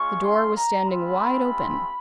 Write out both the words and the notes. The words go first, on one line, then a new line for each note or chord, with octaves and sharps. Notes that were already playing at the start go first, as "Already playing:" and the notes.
The door was standing wide open.
Already playing: G#3 C#4 F4 C#6
C6
A#5
G#3 C4 F4 B5